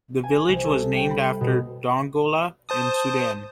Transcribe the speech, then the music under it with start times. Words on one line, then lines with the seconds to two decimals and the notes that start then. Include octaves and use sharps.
The village was named after Dongola, in Sudan.
0.23 G#5
0.48 C2
0.64 A4
0.96 G5
1.11 B5
1.41 B2
2.69 C5 A5 D#6